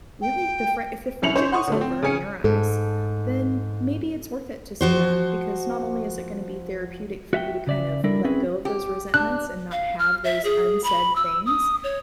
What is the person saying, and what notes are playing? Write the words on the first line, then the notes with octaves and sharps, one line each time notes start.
really, the frie if the friendship is over in your eyes, then maybe it's worth it to say that, because not only is it gonna be therapeutic for you to kind of let go of those resentments and not have those unsaid things,
G5
C2 C#4 E4 C#7 F7 F#7
C#4 D#4 C5 C#5
F#5 C6 C#6 D#6
D3 A3
C4
C#3 C#5 G#5 C#7
G#2 A4
F3 F#4 C5
F#4 E5 F5 G5
C#3 D5 E5
G3 D4 E4 A4 A#4 D5
C4 C#4 E4 G#4 B4
G4
D4 F#6
F5
F6
E5
G#4
B5
E6
D#6
C#5